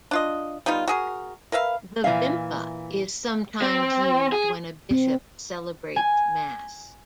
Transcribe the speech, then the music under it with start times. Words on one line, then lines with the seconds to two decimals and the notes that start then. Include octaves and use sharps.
The vimpa is sometimes used when a bishop celebrates Mass.
0.11 D4 F4 D#5
0.66 G3 B3 D#4 F4
0.88 F#4 G#4 A#4
1.52 A#4 B4 E5 F5
2.04 A#2 E3 C4 E5 F5
3.62 C4
4.32 G#4
4.91 C4
5.96 G#5